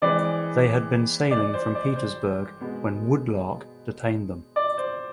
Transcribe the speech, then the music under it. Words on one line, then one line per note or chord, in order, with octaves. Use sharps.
They had been sailing from Petersburg when "Woodlark" detained them.
E3 G#3 C4 D5
D5
C5
D5
C5
B2 G#3 B3
D5
C5